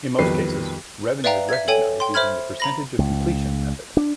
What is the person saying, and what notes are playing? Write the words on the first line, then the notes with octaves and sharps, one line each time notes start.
In most cases, revenue is recognized using the Percentage of Completion Method.
B1 F2 D#3 G3 B4 C7
B4 D5 E5 F5 G5 A#5
E5 G#6
A4 C#5 G5 G#5
G5 C6
C5 E5 B5 F6 G#6
A#5 B5 A#6
C#2
D4